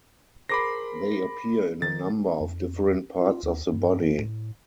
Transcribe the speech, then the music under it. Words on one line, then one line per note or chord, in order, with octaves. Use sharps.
They appear in a number of different parts of the body.
G#4 A#4 C5 B5 D6 A#6
D#3 A6
F2
F4
D#2
G2
A2